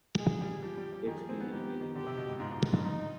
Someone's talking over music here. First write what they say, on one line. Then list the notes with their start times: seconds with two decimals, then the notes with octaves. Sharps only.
It's been an amazing journey.
0.18 G#3 G#4
0.41 G3
0.63 F3 G4
0.77 G3
0.93 F3
1.07 D#3 G#4
1.18 F3
1.29 C4
1.40 B3
1.51 D#3 G4
1.81 D#3
1.95 D3 G4
2.07 C3
2.17 B2
2.28 G#2
2.40 G#2 F4
2.51 G#2
2.73 G2
2.84 G#2 D#4